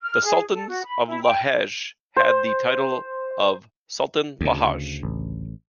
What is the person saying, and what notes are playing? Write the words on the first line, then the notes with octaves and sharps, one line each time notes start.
The Sultans of Lahej had the title of "Sultan Lahj".
F6
G#4
A4
F#4
B5
E4
G5
C5
D2 C#3
A1